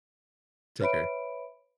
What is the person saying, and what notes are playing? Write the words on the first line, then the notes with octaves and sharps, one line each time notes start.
Take care.
B4 C#5 E5 B5 D7